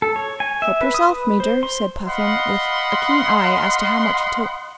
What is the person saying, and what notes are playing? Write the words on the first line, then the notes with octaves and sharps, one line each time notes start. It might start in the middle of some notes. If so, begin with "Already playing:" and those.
"Help yourself, Major," said Puffin, with a keen eye as to how much he took.
A4
C#5
G#5
E5
B4
D#6
B4
C5
C6
D#5 F5 F#5 B5 C6